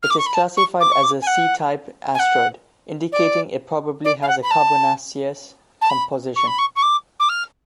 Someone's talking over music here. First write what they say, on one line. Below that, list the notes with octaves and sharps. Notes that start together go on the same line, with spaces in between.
It is classified as a C-type asteroid, indicating it probably has a carbonaceous composition.
F6
D6
C#6
B5
A5
C#6
D6
C#6
D6
G#5
F#5
G#5
F#5
D5
D5
F5
F#5
B5
A5
A5
B5
C#6
B5
C#6
C#6
D6
D6
F6